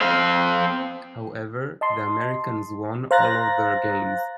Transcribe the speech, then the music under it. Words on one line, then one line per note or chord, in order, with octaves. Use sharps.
However the Americans won all of their games.
C4 F5
D#5 A5 C6
C5 F5 A#5 F#6 A6 A#6